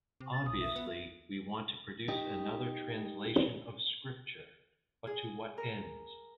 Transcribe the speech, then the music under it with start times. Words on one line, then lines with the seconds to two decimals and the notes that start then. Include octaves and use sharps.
Obviously we want to produce another translation of Scripture – but to what ends?
0.20 C3
0.33 A6
0.46 B1 D#6
0.61 E5
0.76 B3
2.08 D#4 G4 D#5
5.07 G#4
5.58 A#4